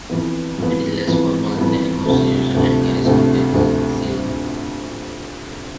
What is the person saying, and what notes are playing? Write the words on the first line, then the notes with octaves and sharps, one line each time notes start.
It is less formal than a constitution and carries no papal seal.
F2 E3 B3
F2 E3 B3
F2 E3 B3
F2 E3 B3
D2 C3 F3 A3
D2 C3 F3 A3
D2 C3 F3 A3
D2 C3 F3 A3